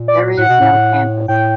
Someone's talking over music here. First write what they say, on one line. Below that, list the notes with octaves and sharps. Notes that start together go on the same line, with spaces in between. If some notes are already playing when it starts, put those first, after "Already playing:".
There is no canthus.
Already playing: A#2
D5
A2 F#5
B2
A2
A2
A2 G5